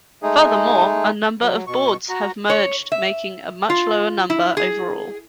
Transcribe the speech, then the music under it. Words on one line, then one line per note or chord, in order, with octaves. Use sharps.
Furthermore, a number of boards have merged making a much lower number overall.
G#3 A3 D#4 G#4
F#3
B2 C#6
F#4 A#5
C#5
E5
F4
E4
G#4